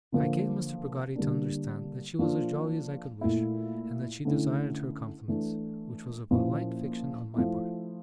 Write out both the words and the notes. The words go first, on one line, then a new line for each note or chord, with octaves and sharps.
I gave Mr. Peggotty to understand that she was as jolly as I could wish, and that she desired her compliments--which was a polite fiction on my part.
D3 F3 A#3
D3 G3 A#3 D4
F3 A#3 D4 F4
A#2 A3 E4
D3 A3 C#4 E4
E3 A3 D4
A#2 F3 C#4 E4
F3 A3 E4